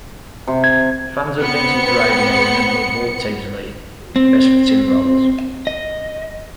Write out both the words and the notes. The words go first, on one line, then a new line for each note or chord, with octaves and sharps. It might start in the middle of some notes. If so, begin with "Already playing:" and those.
Fans of vintage radio remember Walter Tetley best for two roles.
C3
G#6
B3 C4 C#7
C4
D#5